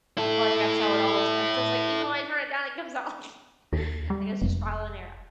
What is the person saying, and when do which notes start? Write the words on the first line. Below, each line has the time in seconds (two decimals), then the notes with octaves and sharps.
I feel like that's how it always it feels like even when I turn it down, it comes out like like, it's just trial and error.
0.18 E4 A4
3.73 D#2
4.10 G3
4.42 F1